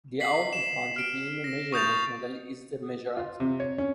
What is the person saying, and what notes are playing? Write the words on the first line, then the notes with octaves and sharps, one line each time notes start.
The output quantity in a measurement model is the measurand.
B6 C7 F#7
E7
F6 D7
A#6
C#6 D#6 G6 A6 F7
F4
C3
C#5
C#4